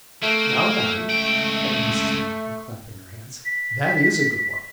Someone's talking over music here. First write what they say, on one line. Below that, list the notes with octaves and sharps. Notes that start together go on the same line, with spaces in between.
Now, Noddy!' cried Mrs Boffin, clapping her hands, 'That IS a good one!'
A3 A#3
C#2 G5
B6